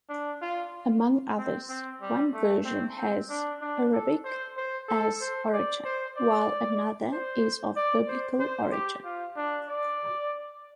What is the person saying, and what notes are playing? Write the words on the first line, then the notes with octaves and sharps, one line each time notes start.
Among others, one version has Arabic as origin, while another is of Biblical origin.
D4
F4
C4
C4
G3
A3
C4
C4
D4
D4
A4
C5
C5
A4
C5
D5
C5
D5
C5
D5
C5
C5
G4
F4
D4
D5